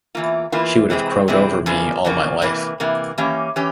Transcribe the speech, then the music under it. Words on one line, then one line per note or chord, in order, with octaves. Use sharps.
She would have crowed over me all my life.
E2 E3 A#3 F4
E2 E3 A#3 F4
C3 E3 G#3 C4
C3 E3 G#3 C4
E2 C#3 F3 A#3
E2 C#3 F3 A#3
C3 E3 A#3
C3 E3 A#3
E3 A#3 C#4 G4
E3 C#4 G4